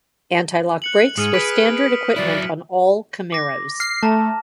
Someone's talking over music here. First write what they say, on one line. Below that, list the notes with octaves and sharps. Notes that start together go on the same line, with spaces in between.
Anti-lock brakes were standard equipment on all Camaros.
F#6 C#7 F#7
G#2 G#4 D#6 F6 D#7
B4 B6 D7
F#3 E4 D5
D6 A#6
F6 C7
A3 A5 A#5